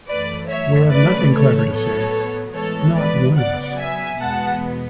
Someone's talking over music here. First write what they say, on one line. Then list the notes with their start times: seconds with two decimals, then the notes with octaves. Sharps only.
We have nothing clever to say — not one of us.
0.08 F#2 E3 A3 B4 D5
0.49 C#5 E5
0.91 C#3 E3 A3 B4 D5
1.32 A4 C#5
1.72 A2 F#3 B3 A4 C#5
2.55 A2 E3 G#3 B3 A4 C#5
2.96 B4 D5
3.37 C#3 F#3 B3 D5 F#5
3.78 E5 G#5
4.20 E2 B2 G#3 B3 F#5 A5